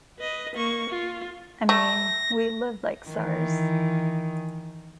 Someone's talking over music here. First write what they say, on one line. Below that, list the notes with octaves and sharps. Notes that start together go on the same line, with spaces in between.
I mean, we live like czars.
B4 D#5
A#3 C#6
F4
A3 A#6
D#3 E3